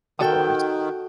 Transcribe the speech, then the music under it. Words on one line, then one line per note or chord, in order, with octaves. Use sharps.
Of course.
D#3 F#4 A4 G5